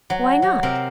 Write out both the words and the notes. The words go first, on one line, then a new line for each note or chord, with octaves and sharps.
Why not?
F#3
F#3
C3 C4 A#4